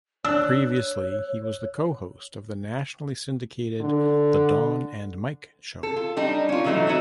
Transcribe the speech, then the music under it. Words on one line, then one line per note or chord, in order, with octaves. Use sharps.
Previously he was the co-host of the nationally syndicated "The Don and Mike Show".
D4 C#5 E6 F#6
D3
A4
F4
G3 D4 D#4
C#4 F4
C#3 E3 F#3 A3 D#4
D#4 F#4 C#5 D#5 E5